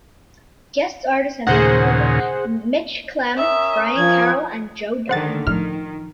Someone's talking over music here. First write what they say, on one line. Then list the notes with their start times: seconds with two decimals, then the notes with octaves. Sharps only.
Guest artists have included Mitch Clem, Brian Carroll and Joe Dunn.
1.47 D#2 A#2 C#3 G#4 C5 F#5
3.38 C#4 A#4 E5 D#6
3.97 F3 G#6
5.09 D3 D#3 C5 F#5 A6
5.47 A2 D#3 F3 F6